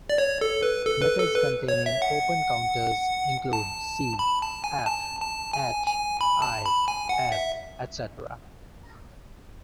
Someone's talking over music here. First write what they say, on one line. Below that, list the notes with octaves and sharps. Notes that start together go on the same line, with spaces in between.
Letters containing open counters include c, f, h, i, s etc.
D5
C#5
A4
B4
A4
B4
A4
B4
C#5
E5
F#5
A5
B5
A5
G#5
A5
A5
G#5
G#5
B5
A5
B5
G#5
F#5
E5